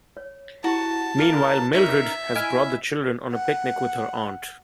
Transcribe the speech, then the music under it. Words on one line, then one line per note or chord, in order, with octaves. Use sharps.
Meanwhile, Mildred has brought the children on a picnic with her aunt.
C#5
E4 F#4 G4 A5
A#3 A#4
C#4 D#4 A#4 E5
E4 D#5 G#5 F6
F#5